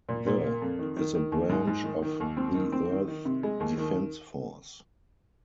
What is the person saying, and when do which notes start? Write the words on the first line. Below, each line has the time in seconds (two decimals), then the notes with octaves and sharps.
The is a branch of the Earth Defence Force.
0.09 A#2
0.27 A#2
0.44 A#3
0.62 F2
0.79 D#3
0.97 D#3
1.15 D#3
1.32 D#2
1.49 G#2
1.67 G#2
1.84 D#3
2.02 D#3
2.20 D#2
2.37 C4
2.55 D#3
2.72 C4
2.90 D#3
3.08 D#3
3.25 C3
3.43 G#3
3.60 D#2
3.78 D#3